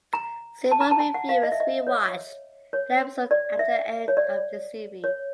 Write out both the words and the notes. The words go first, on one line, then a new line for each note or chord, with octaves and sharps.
Several reviewers re-watched the episode after the end of the series.
A#5
A5
A#5
A5
G#5
F#5
F5
D#5
E5
D#5
C#5
C#5
D5
E5
C#5
D5
C#5